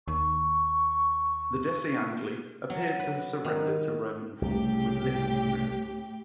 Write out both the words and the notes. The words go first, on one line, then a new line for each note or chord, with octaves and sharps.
The Deceangli appear to have surrendered to Roman rule with little resistance.
D#2 C#6
F#3
B4
D#3
C2 A2 C#3 G4